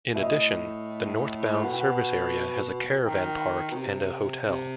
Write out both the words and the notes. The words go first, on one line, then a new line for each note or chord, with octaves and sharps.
In addition, the northbound service area has a caravan park and a hotel.
B2 E5
A2 D#5
A2
B2 F#5
G5
F#5
D#3 G5
B2
C3
C3